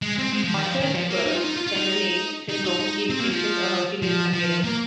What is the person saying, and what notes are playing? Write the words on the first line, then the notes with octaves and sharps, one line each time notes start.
Kocher-Debre-Semelaigne syndrome gives infant a Hercules appearance.
G#3
C4
G#3
F3
D#3
F3
D#3
F3
A#3
D#4
F4
D#4
F4
F4
D#4
D#4
D#4
D#4
C4
A#3
F3
F3
F3
A#3